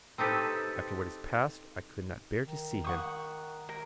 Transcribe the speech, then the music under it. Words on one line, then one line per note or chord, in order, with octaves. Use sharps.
After what has passed, I could not bear to see him.
C4 D#4 G4 A4 B4
D#3
F#5 C#6 D#6
A#4